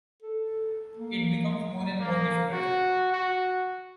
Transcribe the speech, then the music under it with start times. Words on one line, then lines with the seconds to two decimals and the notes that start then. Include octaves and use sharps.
It becomes more and more difficult.
0.22 A4
0.97 A#3
2.00 A#3
2.53 F#4
3.13 F#4